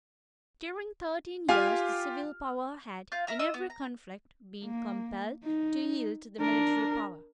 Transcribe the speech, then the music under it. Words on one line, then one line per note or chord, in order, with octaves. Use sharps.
During thirteen years the civil power had, in every conflict, been compelled to yield to the military power.
F4 G4 F5 G#5 F6
F4 F5 G6
A#4 E5 A#5 F6
F4 D#5 E6
B3
A#5
A#3
D#4
D4 A#4